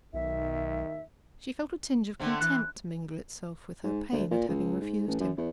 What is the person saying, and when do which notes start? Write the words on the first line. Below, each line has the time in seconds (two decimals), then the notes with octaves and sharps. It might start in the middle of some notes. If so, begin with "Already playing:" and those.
She felt a tinge of contempt mingle itself with her pain at having refused him.
0.14 B1 D#3 E5
2.19 D3 A3 C4
2.41 E3 F#6
3.83 G#2
4.13 D2
4.31 A#2
4.48 C#2
4.81 G#2
5.08 A1
5.20 F#2
5.38 E2